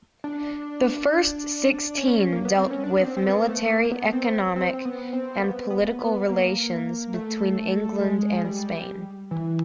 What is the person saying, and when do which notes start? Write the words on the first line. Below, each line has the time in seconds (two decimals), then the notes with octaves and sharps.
The first sixteen dealt with military, economic, and political relations between England and Spain.
0.24 D4
1.97 C#4
2.32 A#3
2.45 B3
2.58 C4
2.71 C#4
2.84 D4
3.01 B3
3.05 C4
3.17 C4
3.26 B3
3.43 A#3
3.48 A3
3.69 A#3
3.92 B3
4.13 C4
4.56 C4
4.73 C4
4.85 B3
5.13 C4
5.38 A#3
5.42 B3
5.70 B3
5.99 B3
6.29 A#3
7.14 A3
8.01 G#3
8.45 G3
9.31 E3